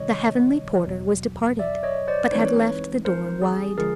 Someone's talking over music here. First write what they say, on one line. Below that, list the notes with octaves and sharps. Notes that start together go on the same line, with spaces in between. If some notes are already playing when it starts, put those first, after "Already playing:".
The heavenly porter was departed, but had left the door wide.
Already playing: C3 D#3 G3 C#5 D#5
E2 B2 F#3
D5 E5
C#5 D#5
C5 D5
E3 G#3 C4 D#4 B4 C#5
A#4 C5
G#4
D3 F3 G#3 G#4 A#4